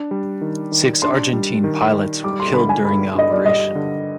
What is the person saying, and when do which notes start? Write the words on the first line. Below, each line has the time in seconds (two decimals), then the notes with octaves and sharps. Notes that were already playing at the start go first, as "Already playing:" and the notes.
Six Argentine pilots were killed during the operation.
Already playing: D4
0.11 G3
0.41 D#3
0.72 D#3
1.02 D4 C6
1.33 G3
1.64 D#3
1.93 D#3
2.24 G3 D6
2.40 C6
2.54 D3 B5
2.69 G#5
2.84 G2 B5
3.15 G2 D#5
3.30 D5
3.45 G3 D#5
3.75 D3